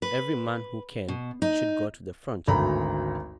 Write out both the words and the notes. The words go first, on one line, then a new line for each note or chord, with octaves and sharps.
"Every man who can, should go to the Front."
B4
B2
D#4
G#1 D2 A#5 B5